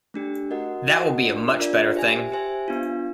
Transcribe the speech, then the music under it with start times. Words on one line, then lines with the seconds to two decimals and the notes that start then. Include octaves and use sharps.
That will be a much better thing.
0.14 A3 D4 G4
0.51 F#4 A#4 D#5 F#5
0.87 F#4 A#4 D#5 F#5
1.23 D4 F4 A#4 D5
1.59 D4 F4 A#4 D5
1.95 G4 C5 E5 G#5
2.32 G4 C5 E5 G#5
2.68 B3 D4 F4